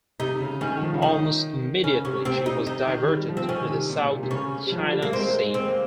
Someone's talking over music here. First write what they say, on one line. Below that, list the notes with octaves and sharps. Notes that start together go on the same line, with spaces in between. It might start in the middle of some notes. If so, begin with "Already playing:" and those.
Almost immediately she was diverted to the South China Sea.
C3 D#4
C#3
D#3 C#4
D#3
F3
C#3
D#3 D#4
C#3 C#4
C3 C#4
C3 C4
C3 D#4
C3 D#4
D#3
G3
F3
C4
D#3 C#4
C3
A#2
A#2
C3
C3
C#3 C#4
G3
F3
G3
A#3
G#3 C4
G#3
C4
A#3